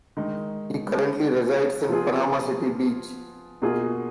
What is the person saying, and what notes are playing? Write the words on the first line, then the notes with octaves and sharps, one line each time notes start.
He currently resides in Panama City Beach.
D#3 G#3 D#4
F3 B3 F4 G#4
B2 A#3 F4 G#4